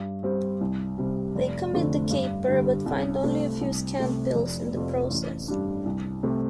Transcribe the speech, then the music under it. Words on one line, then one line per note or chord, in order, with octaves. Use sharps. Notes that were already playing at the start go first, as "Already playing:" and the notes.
They commit the caper but find only a few scant bills in the process.
Already playing: G2
G3 C4
C2
C3 G3
F1
F2 D3 A3 C4
G2
D3 G3
C2
C3 A3 C4
C2
C3 A3 C4
F1
F2 C3
A1
G2 G3 D4
C2
C3 A3 C4